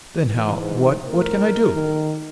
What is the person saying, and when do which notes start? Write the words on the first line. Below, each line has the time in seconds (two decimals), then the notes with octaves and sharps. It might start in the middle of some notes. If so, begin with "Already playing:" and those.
"Then how--what--what can I do!"
0.21 E3
0.58 G#2
1.04 A2 A#4
1.74 D#3